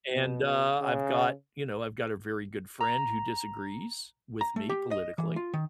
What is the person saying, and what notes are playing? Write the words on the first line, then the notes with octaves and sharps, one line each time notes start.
And, uh, I've got you know, I've got a very good friend who disagrees with me politically,
B2
C#3
A#5
A#5
A3
G4
D#5
E3
F4
D#3